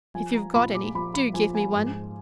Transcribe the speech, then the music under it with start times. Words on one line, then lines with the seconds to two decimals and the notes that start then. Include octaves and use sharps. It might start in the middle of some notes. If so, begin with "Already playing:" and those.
If you've got any, do give me one!'
0.14 F3 G#5
0.35 A#5
0.54 A#2 B5
0.74 D6
0.95 F3 B5
1.14 B5
1.34 F3 G#5
1.55 G#5
1.75 G#2